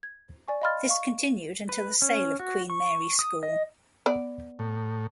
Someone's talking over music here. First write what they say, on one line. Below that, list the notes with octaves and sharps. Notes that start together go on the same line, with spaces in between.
This continued until the sale of Queen Mary School.
G#6
D5 G#5 C#6
D#5 F5 B5 C6 F6 A6
F5 C#6
B4
C#4
F#4
C#6
D#6
D#5
B3 D5
A2